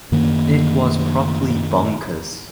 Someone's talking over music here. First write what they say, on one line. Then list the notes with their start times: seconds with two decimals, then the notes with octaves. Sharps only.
It was properly bonkers.
0.12 F#2 D#3 A#3